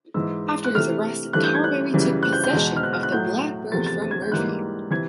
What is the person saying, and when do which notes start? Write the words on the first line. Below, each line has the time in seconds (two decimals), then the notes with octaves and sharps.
After his arrest, Tarberry took possession of the "Blackbird" from Murphy.
0.14 G#2 E3 G#3 E6
0.64 F#6
0.75 C3 E3 A3 F6
1.33 G2 E3 A3 F#6
1.44 G6
1.54 G#6
1.64 F#6
1.94 F#2 C#3 E3 G3
2.23 F#6
2.33 G6
2.44 G6
2.53 E2 B2 G#3
2.76 F6
2.83 F#6
2.93 F6
3.03 F#6
3.12 A2 F#3 A3 G6
3.72 E2 C3 F3 A3 A6
3.86 A6
4.02 A6
4.11 G#6
4.22 G6
4.32 G#2 E3 G3 A#3 F#6
4.91 C3 E3 G#6